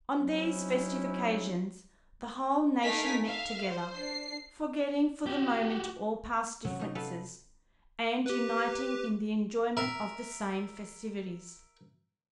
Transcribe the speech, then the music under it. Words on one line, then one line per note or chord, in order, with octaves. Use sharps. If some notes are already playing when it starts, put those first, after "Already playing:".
On these festive occasions the whole nation met together, forgetting for the moment all past differences, and uniting in the enjoyment of the same festivities.
F#3 C4 C#4 D#4 E4
A3 D#4 A#4 F5 G#5 B6
E5 F5
C5
D4 C7
F#4 G4
C3 F#3 C#4
F#3 D#4
A4 B4 F5
G4 B4
A#4 E5